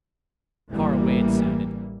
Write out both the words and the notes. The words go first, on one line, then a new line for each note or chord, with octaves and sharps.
Far away it sounded.
A1 E3 G3 A#3